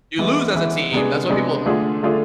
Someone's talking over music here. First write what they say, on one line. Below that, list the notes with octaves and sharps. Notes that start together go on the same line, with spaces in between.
You lose as a team, that's why people m
E3 G#3 B3 E4
E3 G#3 B3 E4
C3 G#3 B3 D4 G#4
C3 G#3 B3 D4 G#4
D3 A3 D4 F4 G#4
D3 A3 D4 F4 G#4